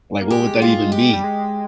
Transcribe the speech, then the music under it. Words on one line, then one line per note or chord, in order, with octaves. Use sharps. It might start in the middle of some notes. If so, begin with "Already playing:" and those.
Like, what would that even be?
A#3
G#3 G4
F4
G4
G3
G#3